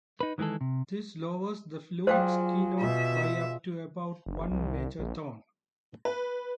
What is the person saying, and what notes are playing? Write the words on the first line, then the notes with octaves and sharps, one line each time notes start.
This lowers the flute's keynote by up to about one major tone.
D#4 B4
D#3 E3 G#3 G#4 A4
C3
F#3 F4 G#4 C5 D5 F5 G5
B2 E5
F#1
C2
A#1
B4